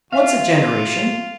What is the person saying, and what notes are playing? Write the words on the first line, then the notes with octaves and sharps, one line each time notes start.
"What's a generation?"
F4 E5 F5